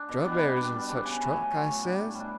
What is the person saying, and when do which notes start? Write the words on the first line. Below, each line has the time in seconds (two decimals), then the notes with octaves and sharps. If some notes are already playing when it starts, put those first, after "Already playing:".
"Strawberries and such truck," I says.
Already playing: D4
0.09 B2
0.25 G3 B3 D4
0.40 G3
0.57 B3 D4 G4
0.72 G3
0.89 B3 D4 G4
1.04 C#3
1.20 F#3 A3
1.36 C#3
1.51 F#3 A3
1.68 A2
1.84 G3 D4
1.99 A2
2.15 G3 D4